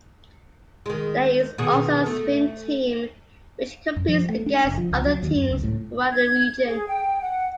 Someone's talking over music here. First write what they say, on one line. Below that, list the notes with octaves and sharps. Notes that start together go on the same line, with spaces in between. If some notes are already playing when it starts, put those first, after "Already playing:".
There is also a swim team which competes against other teams throughout the region.
D#3 G#3
B2 D#3 G#4
A3
F#2
F3
A3
D4
F1
F3
C#2
F#3
D#2
F#2
C#2
A2
G#6
G#4
G5
F#5